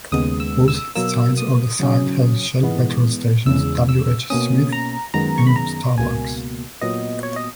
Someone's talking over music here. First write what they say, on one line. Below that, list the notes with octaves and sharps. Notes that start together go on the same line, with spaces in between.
Both sides of the site have Shell petrol stations, W H Smith and Starbucks.
D#2 C#3 G#3 B3 D#6
E6
E6
B2 F#3 A#3 E6
D#6
F#2 C#3 F#3 C#4
G#2 E3 G#3 B3
E2 C#3 G#3 E6
E6
B2 A#3 C#4 D#6
A#5
F#2 D#3 G#3 B3 A#5
C#6
B5
A#5
C#2 B2 A#3 G#5
A#2 F#3 B3 D#5
C#5
D#5